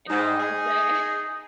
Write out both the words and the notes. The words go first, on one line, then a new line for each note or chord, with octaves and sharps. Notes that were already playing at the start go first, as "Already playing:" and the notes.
And I will always say
G#2 D#4
G#4